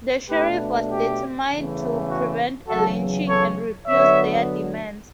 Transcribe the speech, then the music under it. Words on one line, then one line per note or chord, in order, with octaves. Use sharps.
The sheriff was determined to prevent a lynching and refused their demands.
B2 A3 D4 G4 B4
G4
E2 C#3 E3 A3
F#4
E2 C#3 F#3 F#4 A4
A4 C#5
D3 F#3 B3 C#5 E5